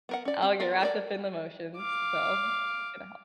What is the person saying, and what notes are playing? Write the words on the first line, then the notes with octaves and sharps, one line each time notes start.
I'll get wrapped up in the motions. So, it's gonna hel
B3 A#4 F#5
C#4 D5
C4
B3 F4 A#4
A4 A#4 D5
F5 D6